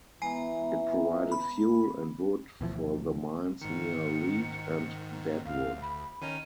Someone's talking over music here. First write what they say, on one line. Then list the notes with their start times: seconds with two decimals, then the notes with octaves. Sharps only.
It provided fuel and wood for the mines near Lead and Deadwood.
0.22 E3 G#3 B3 G#5 A#5
1.32 B5
2.61 D2 B2 E3 F3
3.61 G#2 D#3 C#7
5.46 D2 F5
5.82 B5
6.22 D#3 C#4 D#4 D#7